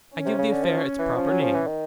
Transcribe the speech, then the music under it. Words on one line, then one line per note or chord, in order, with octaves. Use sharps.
I give the affair its proper name.
C#4
C3
C#3
D3
F3
E3
F3 C#4
F#3
F3
E3
D#3